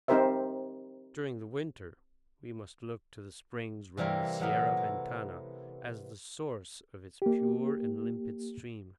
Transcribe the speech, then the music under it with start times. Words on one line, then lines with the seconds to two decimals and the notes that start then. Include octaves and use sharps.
During the winter we must look to the springs round the Sierra Ventana as the source of its pure and limpid stream.
0.08 C4 D#4 G4 A#4 C5 E5
3.97 C3 E3 G3 A#3 A#4
4.39 C3 E3 F#3 A3 B3 A#4
4.77 E3
7.22 A#3 G4